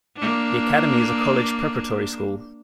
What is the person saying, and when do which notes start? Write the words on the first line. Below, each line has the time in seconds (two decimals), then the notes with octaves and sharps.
The academy is a college preparatory school.
0.17 A#3 D4